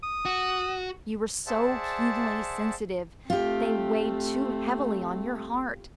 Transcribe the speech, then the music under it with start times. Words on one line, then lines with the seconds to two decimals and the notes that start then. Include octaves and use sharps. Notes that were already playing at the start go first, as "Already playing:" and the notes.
You were so keenly sensitive--they weighed too heavily on your heart.
0.03 D#6
0.25 F#4
1.47 G#4 C5 D5 E5 F#5 A5
3.30 A3 C4 F4 G4